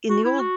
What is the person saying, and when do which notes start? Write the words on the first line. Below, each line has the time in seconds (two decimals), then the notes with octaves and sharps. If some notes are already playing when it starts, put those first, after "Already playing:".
in the old,
0.10 F#4
0.25 E4
0.39 F#4